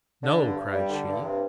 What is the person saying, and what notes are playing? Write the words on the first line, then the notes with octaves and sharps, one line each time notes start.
"No!" cried she.
D3
G2
G2
G3
D3
G2
C3